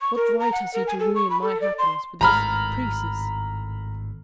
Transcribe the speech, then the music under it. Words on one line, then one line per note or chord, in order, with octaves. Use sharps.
What right has he to ruin my happiness with his caprices?
C#6
A#4
A#5
F#5
A#4
G#5
A4
C#6
B5
A4
D5
C6
G#1 A2 A#5 B5 F6